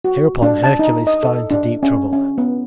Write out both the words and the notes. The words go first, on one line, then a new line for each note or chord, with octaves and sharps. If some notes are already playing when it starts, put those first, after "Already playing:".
Hereupon Hercules fell into deep trouble.
F#4
D4
A5
D#4
D#5
A4
D4
C#4
C#4
B3